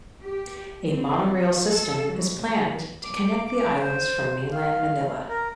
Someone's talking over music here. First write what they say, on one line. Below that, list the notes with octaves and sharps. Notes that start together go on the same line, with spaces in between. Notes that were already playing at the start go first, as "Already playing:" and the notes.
A monorail system is planned to connect the islands from mainland Manila.
G4
C4
F#3
A4
F2
D6
D6
C5
F5
A#4